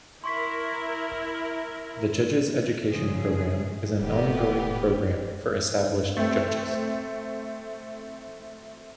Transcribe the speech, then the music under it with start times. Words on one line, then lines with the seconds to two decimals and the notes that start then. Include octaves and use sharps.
The judges education program is an ongoing program for established judges.
0.24 E4 A#4 C6 C#6 B6
2.89 G#2 C#3 F3 G#4
4.00 E1 G#2 D#3 B3 G4 A4
6.17 A3 C4